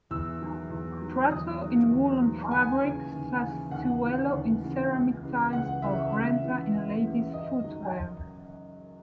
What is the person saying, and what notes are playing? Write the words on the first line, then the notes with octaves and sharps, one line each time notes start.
Prato in woollen fabric, Sassuolo in ceramic tiles or Brenta in ladies' footwear.
E2 E6
D#3 F#3
E2
D#3 F#3
E2 D#6
D#3 F#3
E2
D#3 F#3
D#2 G#5
C#3 E3
D#2
C#3 E3
D#2 F#5
C#3 E3
D#2
C#3 E3
C#2
C#3 E3
C#2 F#5
C#3 E3 E5
C#2 E5
C#3 E3
C#2
C#3 E3
F#2 D#5
D#3 F#3